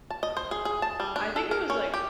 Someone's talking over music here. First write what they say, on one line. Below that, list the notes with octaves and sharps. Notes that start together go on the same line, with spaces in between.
I think it was like
A5
D#5
C5
G#4
G#4
A5
G3
D4
A4
A#4
C#4
G4